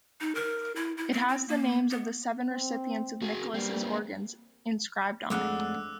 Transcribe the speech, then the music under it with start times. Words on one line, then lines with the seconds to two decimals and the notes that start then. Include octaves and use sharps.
It has the names of the seven recipients of Nicholas' organs inscribed on it.
0.21 D#4
0.35 A#4
0.76 E4
0.97 E4
1.12 C4
1.29 C4
1.49 A#3
1.91 B3
2.52 C4
3.22 F#4 G#4
3.54 G3 A#3 C4
5.30 F2 G#3 A3 D4 F#5 D6 E6 F#6